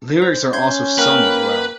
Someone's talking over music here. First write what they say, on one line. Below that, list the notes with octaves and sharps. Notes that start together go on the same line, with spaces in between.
Lyrics are also sung as well.
C5
C#4 C6 G6 G#6
A#3 B4 G5 F6